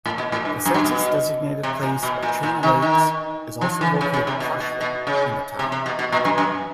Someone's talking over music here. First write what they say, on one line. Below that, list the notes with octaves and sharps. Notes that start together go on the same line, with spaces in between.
The census-designated place of Chain O' Lakes is also located partially in the town.
A2
B2
A2
G2
F#2
G2
B2
C3
A#2
B2
A#2
A#2
D#3
D#3
F3
E3
C#3
C#3
C3
B2
B2
B2
C#3
C3
C3
B2
B2
A#2
F#2
F#2